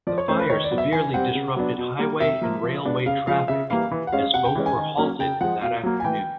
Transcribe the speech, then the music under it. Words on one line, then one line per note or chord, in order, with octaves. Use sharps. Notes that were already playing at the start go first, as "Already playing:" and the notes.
The fire severely disrupted highway and railway traffic as both were halted that afternoon.
F3 D5
C#5
A3 C#4 C5
B4
D#3 C#5
D5
F#3 B3
E5
E3 G#5
G3 C4 F#5
C#3
F#3 B3 D4
B2
G3 A#3
C3 E5
F3 A#3
F3
G#3 B3 D4
C#3 F5
F3 G#3 F5
C#3 E5
E3 G3 A#3 F5
E3
F#5
G#3 C#4 F5
C3 F#5
G5
E3 G#3 C#4
G#5
D#3
F#3 A#3 C#4
C#3 G5
F3 G#3 F#5
B2 F5
F#3 A#3
G#5
E3 G5